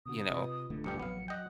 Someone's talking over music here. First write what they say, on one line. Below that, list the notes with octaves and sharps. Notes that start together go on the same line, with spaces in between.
you know
B2 D3 F#4 D#6
C3 F4 B4 D#5
D1 D3 A3
A#1 G2 G4 C#7
A1 F2 F#3 B3 F5
D#5 F#5 G5